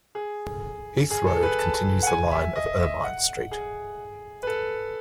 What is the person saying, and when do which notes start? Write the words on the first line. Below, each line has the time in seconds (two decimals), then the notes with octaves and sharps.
Heath Road continues the line of Ermine Street.
0.15 G#4
1.11 G#4
1.27 A4
1.43 B4
1.59 A5
2.03 F#5
2.07 G#5
2.31 E5
2.55 D#5
2.79 E5
3.04 F#5
3.51 G#4
4.43 B4
4.47 A4